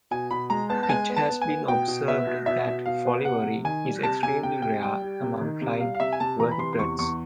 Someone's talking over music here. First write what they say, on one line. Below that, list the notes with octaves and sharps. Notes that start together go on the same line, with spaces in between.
It has been observed that folivory is extremely rare among flying vertebrates.
B2 G#5
B2 B5
G#3 A#5
B3 A5
A5
G#3 G#5
B3
A5
B3
G#5
B3
B2 G5
B2
B3 E5
B2
B2 E5
B2
B2 F5
B3
C3 F#5
C3
D#3 G#5
G3
C3 A5
C3 G#5
C3 G5
C3 G5
G3 G5
G3
C3
D#3
C3
G3 F5
F5
C3 E5
G#5
C3 A5
E3 A#5
B5
C3 C6
C6
E2 C#6
E2 C#6